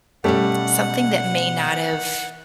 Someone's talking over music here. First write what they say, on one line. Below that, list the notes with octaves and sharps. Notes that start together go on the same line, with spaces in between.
something that may not have
B2 G3 A3 C#4 G4 F#5